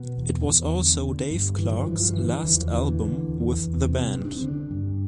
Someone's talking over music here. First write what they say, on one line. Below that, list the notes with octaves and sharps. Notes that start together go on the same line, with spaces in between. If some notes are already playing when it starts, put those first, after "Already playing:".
It was also Dave Clark's last album with the band.
Already playing: B2 B3
E2
E2
D3
D3
G2
D3 E3
F3
G2 E3
F3
D3 E3
E2 E3
F3
D3 E3
D3
E2
E2
C3
G2
D4
D3 C4
D4
G2